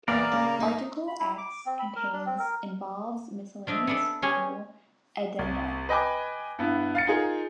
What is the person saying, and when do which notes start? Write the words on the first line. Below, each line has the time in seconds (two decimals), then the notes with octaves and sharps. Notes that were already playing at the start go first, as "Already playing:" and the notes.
Article X contains involves miscellaneous final addenda.
0.08 E2 A#3 A#4 D5 F5
0.32 C#3
0.60 D#4
1.07 B5
1.19 E4
1.38 D6
1.66 C4
1.79 B5
1.96 A#4
2.13 D4
2.26 C4
2.39 A#4
3.67 F3 D4 D#5 E5
3.87 B3 D4 A4
4.22 C#4 G4 G#4 G#5
5.39 C2
5.89 B4 D#5 G5 G#5 D6
6.59 G2 B3 E4
6.95 F5 A6 C#7
7.07 D#4 F4 G#4 A#4